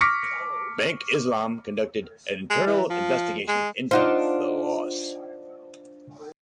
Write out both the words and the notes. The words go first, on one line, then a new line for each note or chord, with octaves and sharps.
Bank Islam conducted an internal investigation into the loss.
C#6 D6 F6 A#6 B6 C#7
G#3
E3
F3
G#3
D4 D#4 F4 C5 F#5